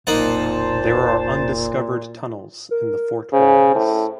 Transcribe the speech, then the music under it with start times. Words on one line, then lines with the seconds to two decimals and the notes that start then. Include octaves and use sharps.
There are undiscovered tunnels in the fort walls.
0.07 F1 B1 A#2 A#3 D#4 C5 F#5 A5
2.71 A#4
3.33 C#3 C5
3.75 A2